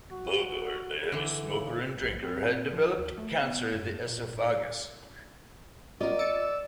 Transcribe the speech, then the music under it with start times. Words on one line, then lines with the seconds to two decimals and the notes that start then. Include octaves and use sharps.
Bogart, a heavy smoker and drinker, had developed cancer of the esophagus.
0.11 F#4
1.12 D3 E3
1.48 C#3
2.02 A#1
2.23 C4
2.73 F3
2.98 D#2
3.18 A3
3.42 B3
3.74 F#2
4.08 A#2
4.37 A2
6.01 B3 C#4 F4 A#4 D5 D#5
6.19 E6 A6 C#7 D7